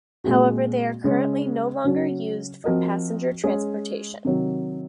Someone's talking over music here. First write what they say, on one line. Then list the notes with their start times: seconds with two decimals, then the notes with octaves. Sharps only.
However, they are currently no longer used for passenger transportation.
0.24 A#2 G#3 C4 F#4
1.04 C#3 G#3 C#4
1.84 C#3 F#3 C#4 F#4
2.64 F3 C4 F#4 A#4 D#5
3.44 G#3 C#4 G#4
4.25 C3 D#3 F#3